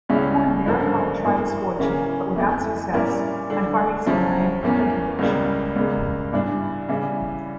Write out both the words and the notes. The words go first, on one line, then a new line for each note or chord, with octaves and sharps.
Horne thereupon tried his fortune, but without success, on farming some land in Huntingdonshire.
C#2 C#3 G3 C#4 E4
G2 D3 F3 A#3 C#4
G2 E3 A#3
C#3 E3 A#3 C#4
F2 E3 A3
A#2 G3 C#4 E4 A#4
D3 G3 D4
C#3 F3 C#4 E4
E2 E3 A#3 C#4
C#2 C#3 G3 A#3
C#2 C#3 G3 A#3
G2 E3 G3 D4
C#3 E3 G3